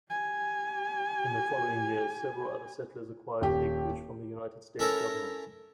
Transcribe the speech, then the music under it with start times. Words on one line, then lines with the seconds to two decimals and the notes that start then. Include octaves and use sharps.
In the following years several other settlers acquired acreage from the United States government.
0.10 G4 G#5
3.41 D#1 G4
4.79 C#4 E4 A4 A#4 A#5